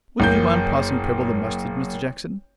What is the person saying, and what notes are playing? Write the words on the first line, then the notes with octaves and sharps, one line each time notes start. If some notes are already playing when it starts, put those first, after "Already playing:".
Would you mind passing Prebble the mustard, Mr Jackson?'
F#1 A#3 G6